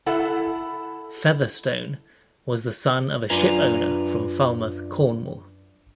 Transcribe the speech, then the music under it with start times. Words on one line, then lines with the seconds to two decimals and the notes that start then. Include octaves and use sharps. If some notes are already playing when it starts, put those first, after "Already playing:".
Featherstone was the son of a ship owner from Falmouth, Cornwall.
0.06 E4 A4 F#5
3.30 F#2 D4 F4 B4 G#5 A#5